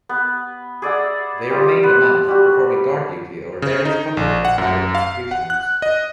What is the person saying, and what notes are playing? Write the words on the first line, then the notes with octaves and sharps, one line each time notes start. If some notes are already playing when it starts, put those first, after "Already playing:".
They remained a month performing guard duty over various public and private institutions.
B3
G#4 D5 E5 F#5
G3 F4
B3 B4
G3 F#4
C#3
D#4
A#1
F#5
F#2
F5
F#5
F#6
D#5